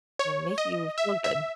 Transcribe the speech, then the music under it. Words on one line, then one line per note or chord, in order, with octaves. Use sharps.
and make you feel good.
C#5
D#5
E5
E5